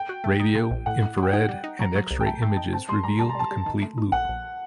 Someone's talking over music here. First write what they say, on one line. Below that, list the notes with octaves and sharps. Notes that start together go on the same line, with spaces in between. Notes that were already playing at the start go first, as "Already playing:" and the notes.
Radio, infrared, and X-ray images reveal the complete loop.
Already playing: G5
F#4
A3
D#4
A#2
A#1
A2 F#5
A2
F#3
G5
D#4 F#5
G3
D#4
F#3 A#5
F#3
C2
G5
A3 A5
A3
D#4
C4 A5
G3 C6
G3 A#5
G3 A5
A#5
G3 A5
G3
D#3
A3
D#4
A#1 F#5
A#1